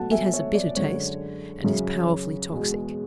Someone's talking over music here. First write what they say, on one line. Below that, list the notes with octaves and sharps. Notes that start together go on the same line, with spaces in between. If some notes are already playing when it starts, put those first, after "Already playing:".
It has a bitter taste, and is powerfully toxic.
Already playing: B2 F#3 A3 F#5 A5
E5 G#5
C#5 E5
D5
F#2 D3 G#3 D4 C#5
F#2 C#3 F#3 C#4
E2 B2 G#3